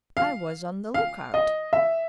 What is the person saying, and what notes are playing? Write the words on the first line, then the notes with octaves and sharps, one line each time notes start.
I was on the look-out.
F5
F5
D#5
E5